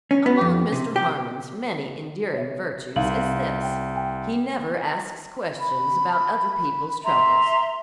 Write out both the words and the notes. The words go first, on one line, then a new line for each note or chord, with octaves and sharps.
Among Mr. Harmon's many endearing virtues is this: he never asks questions about other people's troubles.
C#4
B3
F2
C3
G4
C#5 E5
C2 D#4 F5 F#7
G5
G5 G#5
B5
E5 A#5 C6